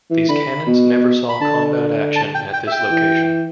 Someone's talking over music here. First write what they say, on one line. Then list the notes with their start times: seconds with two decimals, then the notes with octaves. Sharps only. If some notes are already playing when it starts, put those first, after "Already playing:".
These cannons never saw combat action at this location.
0.11 E3
0.29 D3 B5
0.67 B2
1.29 B5
1.41 D3 A5
2.16 A5
2.35 G5
2.53 G5
2.67 E5
2.72 G5
2.91 E3